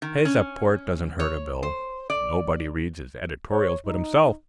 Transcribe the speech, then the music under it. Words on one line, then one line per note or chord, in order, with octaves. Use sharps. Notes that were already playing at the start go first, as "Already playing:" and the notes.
His support doesn't hurt a bill. Nobody reads his editorials but himself.
D#3
C#4
C#5
C5
D5
C#5
D#4